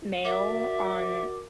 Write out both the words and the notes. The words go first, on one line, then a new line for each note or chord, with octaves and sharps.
male on
F#4 A#4 D5 E5 D6